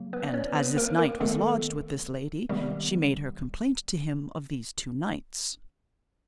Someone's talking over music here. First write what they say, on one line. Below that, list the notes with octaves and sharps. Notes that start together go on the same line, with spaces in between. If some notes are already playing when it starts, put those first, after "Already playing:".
And as this knight was lodged with this lady she made her complaint to him of these two knights.
Already playing: C#3 F#3 A#3
B3 B4
D5
C#4 C#5
B3 B4
A#3 A#4
A#3 A#4
D#3 G#3 A3 B3 A4
C3 D#3 G3 G#3 B3 G4